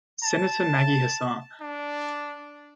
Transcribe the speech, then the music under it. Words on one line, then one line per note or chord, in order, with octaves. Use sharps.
Senator Maggie Hassan.
A5
D4